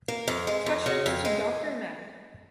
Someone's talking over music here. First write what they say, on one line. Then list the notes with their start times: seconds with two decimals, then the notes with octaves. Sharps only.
Questions to Doctor med.
0.08 A#3
0.28 F2
0.47 G#3
0.66 F2
0.86 C#3
1.06 F2
1.25 G#3